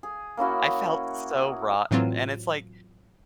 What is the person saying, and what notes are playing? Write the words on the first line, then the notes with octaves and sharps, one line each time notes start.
I felt so rotten. And it's like,
G#4
A#3 C#4 E4 F#4
A2 E3 F#3 C4 F4